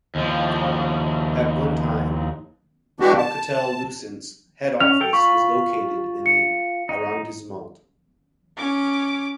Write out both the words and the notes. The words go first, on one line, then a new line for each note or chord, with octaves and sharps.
At one time Alcatel-Lucent's head office was located in the arrondissement.
D#2 F3
E3 G#3 D4 F#4 G4
A5
C#4 F6 F7
A4 G5
F4 B5 C#6
C#7
D#4
C#4 D6